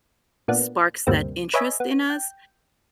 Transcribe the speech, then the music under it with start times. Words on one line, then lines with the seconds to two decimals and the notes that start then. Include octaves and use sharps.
sparks that interest in us,
0.48 A#2 A#3 B3 D4
1.07 D2 G2 C3 A#3 C4
1.54 B4 C#5 D#5 E5 G#5 B5
1.80 B3
2.10 G5